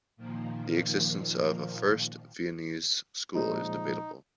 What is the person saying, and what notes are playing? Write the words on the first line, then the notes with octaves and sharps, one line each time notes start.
The existence of a "First Viennese School" is debatable.
A#2 D#3 F3 A#3
A#2 F3 G#3 D#4